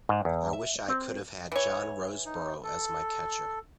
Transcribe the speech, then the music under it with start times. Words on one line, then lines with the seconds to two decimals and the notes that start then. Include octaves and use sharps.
I wish I could have had John Roseboro as my catcher.
0.09 G#2
0.25 E2
0.53 E5
0.88 C4
1.52 E3 C#5
2.26 D#4
2.64 A4